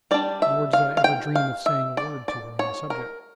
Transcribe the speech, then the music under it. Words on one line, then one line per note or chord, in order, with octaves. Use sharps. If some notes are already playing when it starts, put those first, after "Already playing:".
Nor did I ever dream of saying a word to her on the subject.
G3 D4 D5
E5
F5
F5
G5
F5
E5
D5
D5
C#5
A#4